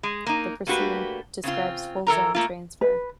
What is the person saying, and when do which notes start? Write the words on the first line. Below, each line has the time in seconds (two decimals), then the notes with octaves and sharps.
The preceding describes full zone transfer.
0.03 G#3
0.26 A#3 D#4
0.67 A3 A#3 D4 F#4 G4 B4
1.43 C#3 C4 F4
2.07 E3 A4 A#4 A#5
2.35 A3 A#3 F4
2.81 B4